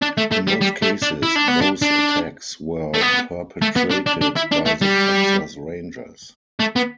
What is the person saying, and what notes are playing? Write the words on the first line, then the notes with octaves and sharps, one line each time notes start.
In most cases those attacks were perpetrated by the Texas Rangers.
D4
A3
A3
G3
G3
A3
D4
E4
D4
B3
D4
D4
A3
B3
A3
B3
D4
D4
D4
E4
D4
A3
G3
A3
B3